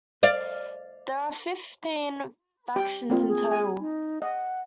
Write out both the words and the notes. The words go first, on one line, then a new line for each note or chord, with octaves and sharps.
There are fifteen factions in total.
D5 F5
G4 G5
A#3 C4 F4
G#4
G#5
D#4
D#5 F#5